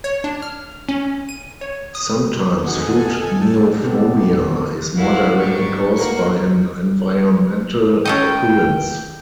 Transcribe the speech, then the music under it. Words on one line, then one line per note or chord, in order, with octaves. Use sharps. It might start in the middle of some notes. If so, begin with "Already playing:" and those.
Sometimes food neophobia is more directly caused by an environmental occurrence.
C#5
D4
F6
C#4
D#7
C#5
D#6
F1 D#3 F#4 G#4 A4 F#5 G#5
D4 G5 A5 E6
B2 B3 C4 G4 A4
E4 F#4 F5
G#2 D4 G4 C#6
A#3 F#4 A#4
C#4 A4 D#5 G5